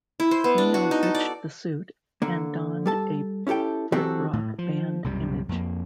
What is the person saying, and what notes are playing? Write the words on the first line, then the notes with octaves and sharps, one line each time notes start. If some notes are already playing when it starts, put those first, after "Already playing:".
Neil ditched the suit and donned a Britrock band image.
E4
C5
B3
D4
F#4
D#4
A4
D5
D3 A#3
G3 A4 A5
C#4 E4 G4 A4 G5
E3 F#3 C4 F#4 G4 A4
A2
F3
B1 F#2 C3 G3
F2 A#3